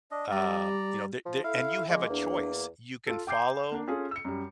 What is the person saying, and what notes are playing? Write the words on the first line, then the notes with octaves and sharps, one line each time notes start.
um, you know, th there and you have a choice. You can follow,
D4 D5 D#5
G3 D5 A#5
F3
E4 A4 F5
F3 G#3 A#3
E2 D4
F4 A4
G5 D6 G6 C7
A#3 D4
C#4 F4 G#4 A4
E6 C#7
F#2 G3